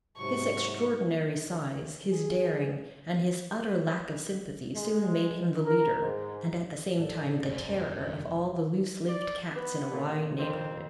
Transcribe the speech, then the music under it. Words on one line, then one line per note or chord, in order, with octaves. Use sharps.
His extraordinary size, his daring, and his utter lack of sympathy soon made him the leader--and, at the same time, the terror--of all the loose-lived cats in a wide neighbourhood.
G#2 C3 F#3 C#6
G#4
G#3
A#4
G#2
A2 D#3 A4 D5
E1 F#2 C5
D#3
D5
B3 B4
A#2 D3
F2 D#3 C4